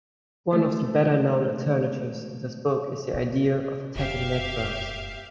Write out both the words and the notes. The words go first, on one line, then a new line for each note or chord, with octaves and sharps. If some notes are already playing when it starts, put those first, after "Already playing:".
One of the better-known alternatives in this book is the idea of attacking networks.
D#3 G#3 A3
C#3
F1 F#2 G4 E5 F5